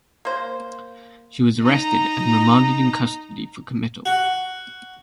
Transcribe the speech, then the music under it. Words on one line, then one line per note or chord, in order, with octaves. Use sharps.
She was arrested and remanded in custody for committal.
A#3 C5
D#4 A#5
F#4